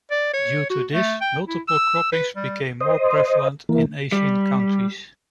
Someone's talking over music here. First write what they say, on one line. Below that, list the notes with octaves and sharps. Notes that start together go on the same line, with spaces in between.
Due to this, multiple cropping became more prevalent in Asian countries.
D5
C#5
F#4
A3
G5
E4
E6
B4
G3
C5 D#5
E3 A#3
G3